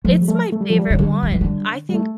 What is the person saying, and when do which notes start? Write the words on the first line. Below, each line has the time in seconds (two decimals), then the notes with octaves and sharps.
It's my favorite one, I think
0.05 F3 A3
0.22 G3
0.28 A3
0.52 A3
0.61 G3
0.70 F3
0.78 G3
0.90 C#3
0.99 D3
1.23 D3
1.32 E3
1.41 D3
1.89 G3
1.94 A3